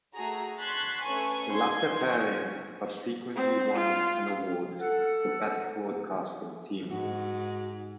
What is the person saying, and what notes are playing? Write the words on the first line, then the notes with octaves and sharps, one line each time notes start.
The latter pairing subsequently won an award for best broadcasting team.
A3 F#4 G#4 A#5
A5 C6 C#6 F#6 G#6 B6
A3 C#4 B4 G#5 C#6
C6 G#6
G#5 C#6
C4
F4
A4 F#5
G#2 F#4